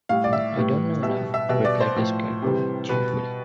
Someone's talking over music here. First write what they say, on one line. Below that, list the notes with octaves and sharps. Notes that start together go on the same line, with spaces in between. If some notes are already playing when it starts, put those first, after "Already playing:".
"I don't know enough," replied the Scarecrow, cheerfully.
A2 G3 F5
D5
E5
A2 E3 G3
B2 G3 E5
E5
B2 G3 E5
D5
C5
A2 F3
C3 E3 G3
B2 G3 B4